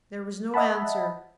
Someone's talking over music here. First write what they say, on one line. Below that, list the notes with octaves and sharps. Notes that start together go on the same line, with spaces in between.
There was no answer.
D#5 E5 F#5 A5 B5